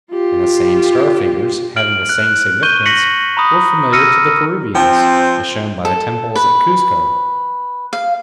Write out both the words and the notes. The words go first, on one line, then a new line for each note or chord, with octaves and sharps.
And the same star figures, having the same significance, were familiar to the Peruvians, as shown by the temples at Cuzco.
F4 G4
F6 D7 F#7
F#6
C#6 G6 D#7 G7
C#6 A#6 B6 C#7 F#7
A#5 B5 D#6
E6 F6 A#6 C#7 D#7
F3 C4 G5
A4
B4
F5